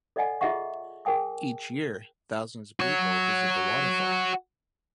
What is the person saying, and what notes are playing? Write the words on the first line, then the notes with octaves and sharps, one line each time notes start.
Each year thousands of people visit the waterfall.
A4 D5 D#5 F#5 G#5
F4 G#4 D#5 E5 F#5 C#6
G#4 A#4 G5 G#5 D#6
F#4 C#5